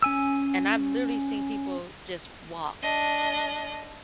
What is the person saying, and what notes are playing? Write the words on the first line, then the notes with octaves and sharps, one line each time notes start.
and I've literally seen people just walk
C#4 G#5 E6
D4 D#5